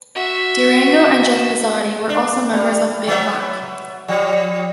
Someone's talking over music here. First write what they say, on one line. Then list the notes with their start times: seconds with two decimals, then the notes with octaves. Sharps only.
Durango and Jeff Pezzati were also members of Big Black.
0.15 F#4 E5
2.09 D4
2.52 G3
3.07 F#3 B3 E5
4.08 F3 G3